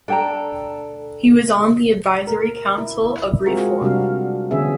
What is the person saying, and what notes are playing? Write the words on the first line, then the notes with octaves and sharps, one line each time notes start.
He was on the Advisory Council of Reform.
D4 A4 G5 A#5
A#4
E4
G#3 C4 F4 F#4 G#4 A#4
C3 G3 D4 F#4 F5
D3 E3 B3 C#4 G#4 E5